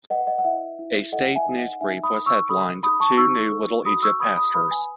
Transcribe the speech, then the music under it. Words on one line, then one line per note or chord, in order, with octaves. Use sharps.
A state news brief was headlined, Two New Little Egypt Pastors.
B4 D#5 F#5
D#5 F#5
F#5
E4 E5
E4
A4 D#5 F#5
E5 G#5
D#4
D#5 F#5
D#4 E5 G#5
B5 D#6
D#4
C#6 E6
A4 B5 D#6
D#4 B5 D#6
A5 C#6
D#4 C#6 E6
A4
F#4 B5 D#6
C#6 E6
B4 B5 D#6
B5 D#6
B4 B5 D#6
G#5 B5